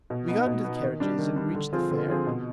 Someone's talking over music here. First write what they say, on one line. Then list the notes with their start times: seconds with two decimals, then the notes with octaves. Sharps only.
We got into the carriages, and reached the fair.
0.10 B2
0.28 B3 D#4
0.47 B2
0.64 B3 D#4
0.82 D#3
1.00 G3 D4
1.18 D#3
1.36 G3 D4
1.55 D3
1.73 F3 C4 F4 G#4
1.91 D3
2.08 F3 C4 F4 G#4
2.27 B2